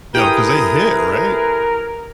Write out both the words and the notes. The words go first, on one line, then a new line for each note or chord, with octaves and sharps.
Yo, 'cause they hit, right?
A3 E4 G4 G#4 A#4 B4 G5 D#6